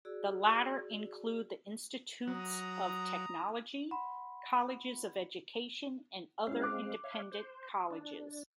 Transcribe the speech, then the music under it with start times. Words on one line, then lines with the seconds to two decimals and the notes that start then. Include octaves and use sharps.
The latter include the Institutes of Technology, Colleges of Education, and other independent colleges.
0.05 F#4 G#4 D5 E6
2.27 F#3 A#5 D#6
3.91 F#5 B5 C6
6.47 G#3 C4 C#4 E4 F5
6.62 D6 F#6
7.04 C#5 E5 F5
7.32 C5
7.91 D4